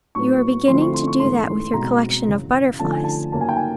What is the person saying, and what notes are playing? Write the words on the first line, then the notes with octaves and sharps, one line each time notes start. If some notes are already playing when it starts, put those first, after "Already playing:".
You are beginning to do that with your collection of butterflies.
A2 F#3 B3 C#6
D3 F3 A3 C4 E4 C6
C#6
C6
C#6
G#2 E3 A3 C#4 C6
B2 G#3 C4 A#5
F#2 C#3 E3
D3 F3 A3 C#4 F4 A5
G#5
A5
F#2 C#3 F#3 A#3 C#4 A5
G#5
G5
G#5